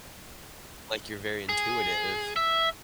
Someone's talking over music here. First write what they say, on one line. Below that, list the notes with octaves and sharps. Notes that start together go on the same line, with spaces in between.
like you're very intuitive
G#4
E5